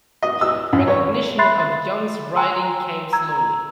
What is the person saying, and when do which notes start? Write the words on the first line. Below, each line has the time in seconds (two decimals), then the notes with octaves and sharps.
Recognition of Young's writing came slowly.
0.23 D#5
0.41 E6
0.73 F#2
0.88 C#5
1.38 E5 B5 C6 F#6 A6 C7
2.36 G5 G#5 A#5 C6 E6
3.13 A#5 E6 G#6